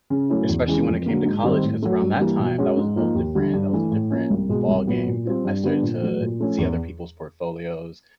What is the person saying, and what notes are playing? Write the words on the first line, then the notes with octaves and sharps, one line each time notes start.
Especially when it came to college, 'cause around that time, that was a whole different that was a different ballgame. I started to see other people's portfolios,
C#3
F#3 A3 C#4 E4
E2
C#3 E3 G#3
F2
D3 F#3 A#3
G#2
D#3 G3 C4
A2
F#3 A3
G2
E3 G3 A#3
B2
G#3 C#4 F#4
G#2
F3 A#3 D#4
D#2
D3 G3
G2
E3 A3
A2
F3 A#3 C#4
C2
B2 G#3
C2
A#2 F#3 B3
A#2
G3 C4 F4
G2
D3 G3 B3 D4
A#2
F#3 A3
A#2
F3 A3 C#4
E2